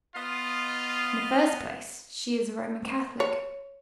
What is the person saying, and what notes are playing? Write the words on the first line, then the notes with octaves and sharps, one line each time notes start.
'In the first place, she is a Roman Catholic.
B3 F4 D#5 F5
C#5